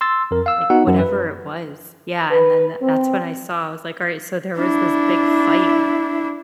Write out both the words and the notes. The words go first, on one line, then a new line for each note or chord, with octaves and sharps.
like, whatever it was. Yeah, and then tha that's when I saw, I was like, "Alright, so, there was this big fight,"
C6 E6 A6
F2 A#4
F5 E6
B3 D#4 F#4 F#5
F#2
B4
B4
C4
D4 E4